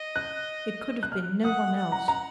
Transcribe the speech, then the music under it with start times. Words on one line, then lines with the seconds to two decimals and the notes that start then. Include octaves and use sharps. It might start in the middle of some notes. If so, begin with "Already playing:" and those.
"It could have been no one else."
Already playing: D#5
0.16 F#6
1.03 F#6
1.12 F6
1.44 F#5 D#6
1.76 F#5
1.92 A#5
2.08 A#5